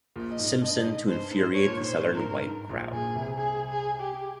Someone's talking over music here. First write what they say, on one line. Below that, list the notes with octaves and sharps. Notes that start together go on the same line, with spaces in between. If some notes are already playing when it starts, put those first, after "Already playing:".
Simpson to infuriate the southern white crowd.
A#1 A#2
D#5
G#2
G2 D#5
G#2
G2 C5
G#2
G2 C#5
A#2
G#2
C5
G#2
A#2
G#2 A#4
G2
G2
G#2
A#1 A#2
A#1 A#2 G#4
C2 C3
G#4
G#4
G4